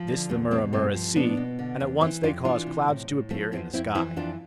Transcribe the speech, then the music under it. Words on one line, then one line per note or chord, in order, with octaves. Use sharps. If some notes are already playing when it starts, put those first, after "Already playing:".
This the Mura-muras see, and at once they cause clouds to appear in the sky.
Already playing: F3
D3
E2 A3
B2 A3 C4
G2 A3 C4
F3
B2 B3 D4
B2
D3
E2
E3 C4 E4
F2 D4 F4
E3 D4 F4
C3
A2
A2
F3 A3 C4
E2 C4 E4
F2 C4 E4
E3 C4 E4
F2 D4 F4